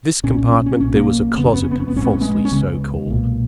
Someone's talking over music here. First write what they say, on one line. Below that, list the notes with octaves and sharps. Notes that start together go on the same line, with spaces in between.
To this compartment there was a closet falsely so called.
B1 A#2 C#4
C#4
C#4
C#4
B1 A#2 C#4
A#3 C#4
F#1 F2 C#3 B3
C#4
B3
C#4
B3
C#4
B3
A#1 G#2 C#4
B3
C#4
G#3 B3
C#4
C#2 C#3 G#3 B3
B1 A#2